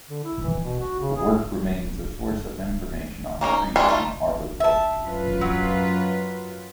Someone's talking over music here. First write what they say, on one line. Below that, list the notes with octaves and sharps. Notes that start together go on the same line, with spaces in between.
The work remains a source of information on trees and arboriculture.
D3
E4
E3
B2
F#4
C#3
G#4
A#3 C#4 D#4 A#4
D#4
D#3 G3 G#3 C#4 D4
G3 A3 D#4 F4
E5 A5
F#2 F4 B4
F#3